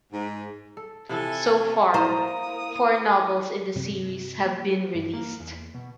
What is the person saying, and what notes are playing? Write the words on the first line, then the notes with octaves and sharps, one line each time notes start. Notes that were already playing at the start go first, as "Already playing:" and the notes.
So far four novels in the series have been released.
G#2
A4
C3 E3 F3 A4 G#5
A#3 E4 C5 A#5 D#6
G2 C3 F3 F#3
A#3
G2
A#3
E2
B2